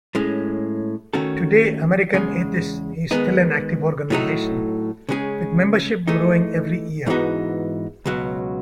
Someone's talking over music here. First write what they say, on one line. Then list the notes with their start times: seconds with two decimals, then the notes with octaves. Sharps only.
Today American Atheists is still an active organization with membership growing every year.
0.15 A2 G#3 C#4
1.14 D#3 A3 C#4 F#4 A4
2.13 E2 C#3 G#3
3.11 D#3 G#3 B3 D#4
4.10 A2 F#3 A3 D#4 A4
5.09 C#3 G#3 C#4 G#4
6.07 E3 A3 D#4 G#4
7.07 G#2 E3 B3 D#4 F#4
8.06 C#2 B2 F#3